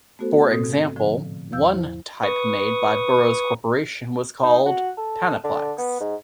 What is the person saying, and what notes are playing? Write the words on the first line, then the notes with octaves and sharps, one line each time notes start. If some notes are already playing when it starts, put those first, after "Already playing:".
For example, one type made by Burroughs Corporation was called "Panaplex".
A3 B3 F#4 A4 C5
G#2 C3 C4 A4 D#6
A2 D3 F3
E2 F3 F5 E6 G6
E4 C5
B4 C#6 D#6
D#4
F#4
A4
D3
B3
G#2